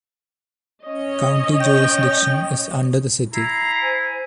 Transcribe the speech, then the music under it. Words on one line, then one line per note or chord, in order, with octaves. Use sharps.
County jurisdiction is under the city.
C#4 C#5 D#5
G5
E4 A#5 C7
C5 G#5